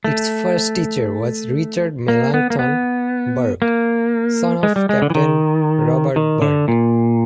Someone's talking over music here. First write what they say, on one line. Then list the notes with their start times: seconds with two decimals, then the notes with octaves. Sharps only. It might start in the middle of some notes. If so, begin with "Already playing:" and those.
Its first teacher was Richard Melancthon Burke, son of Captain Robert Burke.
0.04 A3
2.08 A#3
2.34 B3
2.50 A#3
2.59 B3
3.62 A#3
4.63 G#3
4.76 G3
4.89 G#3
5.02 D3
5.10 E3
5.15 D#3
6.16 D#3
6.42 D3
6.68 A#2